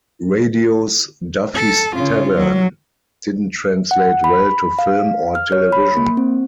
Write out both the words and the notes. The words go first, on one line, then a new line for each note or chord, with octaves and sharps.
Radio's "Duffy's Tavern" didn't translate well to film or television.
A4
C#3 F4
F#3
F#5
B5
F5
F6
C#5
B5
A#3
C4